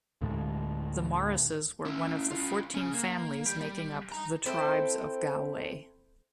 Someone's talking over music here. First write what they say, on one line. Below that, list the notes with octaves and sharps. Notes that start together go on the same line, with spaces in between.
The Morrises were one of the fourteen families making up 'the Tribes of Galway'.
D2 A2 D3 G#3
C#4 E4
C#4 F4
C#3 C#4
A#3
G3
D#4 A#5
C4 E4 A4 C5